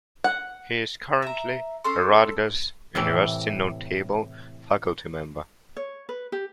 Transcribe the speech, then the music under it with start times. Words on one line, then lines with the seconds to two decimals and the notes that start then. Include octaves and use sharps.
He is currently a Rutgers University notable faculty member.
0.24 F#5
1.22 E5 A#5
1.84 C#4 A4 C6
2.95 A2 C3 E3
5.77 C#5
6.09 B4
6.32 G4